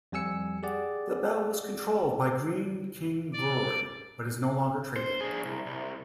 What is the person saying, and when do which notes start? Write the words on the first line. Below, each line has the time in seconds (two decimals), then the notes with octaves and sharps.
The Bell was controlled by Greene King Brewery but is no longer trading.
0.12 F2 G3 G#5 E6 C#7
0.63 G4 G#4 D5 F#5
3.33 D5
4.96 C5
5.21 D4 G#4
5.45 C2
5.66 C2